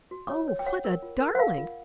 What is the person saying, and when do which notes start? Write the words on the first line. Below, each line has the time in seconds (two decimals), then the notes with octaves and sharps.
Oh! what a darling!
0.11 F#4
0.29 C#5
0.48 C#5
0.59 G5
0.66 C#5 F#5
0.84 A#4
1.02 F4
1.20 A#4
1.35 F#5
1.39 A#4 F5
1.58 F4